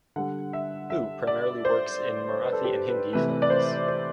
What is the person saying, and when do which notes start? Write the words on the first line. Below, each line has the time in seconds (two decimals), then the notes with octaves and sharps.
Who primarily works in Marathi and Hindi films.
0.16 D3 G3 F#5
0.53 E5
0.90 E5
1.27 D5
1.65 C5
2.41 B4
2.53 A4
2.64 G4
2.88 B4
3.13 C3 E3 A3 B4
3.42 D5
3.50 C5
3.88 C5